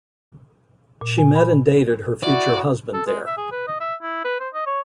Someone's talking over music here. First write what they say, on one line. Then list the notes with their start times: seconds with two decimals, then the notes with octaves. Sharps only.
She met and dated her future husband there.
1.01 A#2
1.18 G#5
1.35 B5
2.23 E4 F#4 D5
2.94 A4
3.07 G#3
3.26 E5
3.37 G#4
3.52 B4
3.67 D#5
3.80 E5
4.02 E4
4.25 B4
4.40 C5
4.54 D#5
4.66 C#5